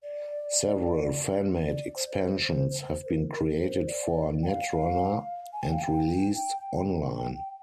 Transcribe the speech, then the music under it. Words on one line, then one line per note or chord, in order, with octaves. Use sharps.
Several fan-made expansions have been created for Netrunner, and released online.
D5
D5
C5
C5
C5
A#4
A#4
C5
D5
G5
F5
G#5
G5
F5
G5
G5
G5